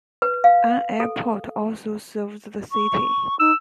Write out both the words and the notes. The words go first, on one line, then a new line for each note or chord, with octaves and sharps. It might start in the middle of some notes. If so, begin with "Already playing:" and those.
An airport also serves the city.
B4
F5
A4
C#6
D#4 E6